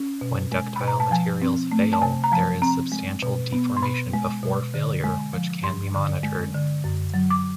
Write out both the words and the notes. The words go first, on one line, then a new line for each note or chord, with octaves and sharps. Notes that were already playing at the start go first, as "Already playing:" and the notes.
When ductile materials fail, there is substantial deformation before failure, which can be monitored.
Already playing: C#4
B2
G#3
B5
B2
A#5
A5
F3 G#5
C4
A3
A5
C3 G#5
A#5
F3 A5
C4 A#5
G#3
B2
B3
C6
B2 B5
G#3
B2
D3
G#3
F3
G2 C6
D3
G#3
D3
F#2
F#3
D6